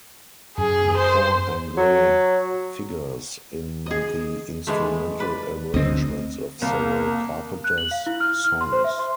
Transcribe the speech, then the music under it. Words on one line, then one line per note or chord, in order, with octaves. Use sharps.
The cor anglais figures in the instrumental arrangements of several Carpenters songs.
F#2 G#4
C5
F#3
G#4 D#5
E3 G#3 A3
B4 D5
D2 C4 D#5
C2 A#3
F#6
F#7
F5
E4
F6
F6
C6
C5
E5
C6